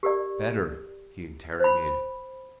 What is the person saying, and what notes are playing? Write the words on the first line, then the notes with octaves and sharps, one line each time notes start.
"Better?" he interrogated.
G4 A#4 D5
C5 B5